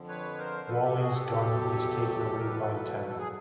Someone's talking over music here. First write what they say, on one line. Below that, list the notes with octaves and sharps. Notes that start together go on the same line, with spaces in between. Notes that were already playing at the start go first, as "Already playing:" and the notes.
Wally's gun is taken away by Tim.
Already playing: F2 D3 F3
B4 C#5
A#4 C5
A4 B4
G4 A4
F#4 G#4
G4 A4
E2 B2 F#3
A#4
A4 B4
A4
G#4